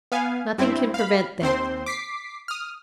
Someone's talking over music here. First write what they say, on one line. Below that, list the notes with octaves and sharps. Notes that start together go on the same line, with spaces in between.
Nothing can prevent that.
B3 F5 G#5
G2 C4 E4
F5 B5
D#2 C4 C5 C6
D6 B6 C7
D#6 F6